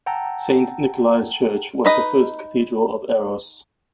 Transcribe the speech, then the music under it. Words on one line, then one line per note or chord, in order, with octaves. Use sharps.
Saint Nikolai's church was the first cathedral of Aros.
F#5 G5 A5 A#5 E6
D#4 B4 D#5